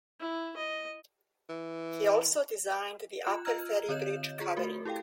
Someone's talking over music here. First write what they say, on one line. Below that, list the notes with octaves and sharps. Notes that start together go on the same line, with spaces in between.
He also designed the Upper Ferry Bridge covering.
E4
D#5
E3
F4 F#6 E7
F4 D#5 A#5 E6 F6 G#6
D3 C4 C#5 D#5 G6 E7
F4 G#4
A3 F#4 A#4
E4 G4 A4 F5 G5